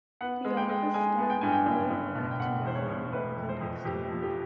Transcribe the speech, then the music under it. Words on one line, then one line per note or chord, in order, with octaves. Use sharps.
The office staff moved back to Raleigh over the next month.
B3 F#5
G#3
G5
G#3
G#3 G#5
B3
G5
G2 G#5
G5
F#1
F#1
B2
G5
B2 F#5
E2 C5
C#5
B2
C3 B4
F2
C5
F2
F2 G4
F3
G4